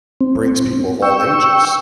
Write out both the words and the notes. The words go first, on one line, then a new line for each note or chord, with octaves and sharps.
brings people of all ages.
C4
G5 C#6 E6